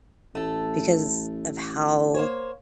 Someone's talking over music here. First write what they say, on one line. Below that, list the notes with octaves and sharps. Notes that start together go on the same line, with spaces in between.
because of how
A1 A3 A4
A#3 C5 C#5